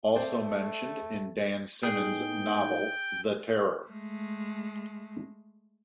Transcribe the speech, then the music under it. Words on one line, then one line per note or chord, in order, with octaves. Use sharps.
Also mentioned in Dan Simmons' novel, "The Terror".
A3 C5 D5
A2 B3 D#4 G#4 G5
G#3 A3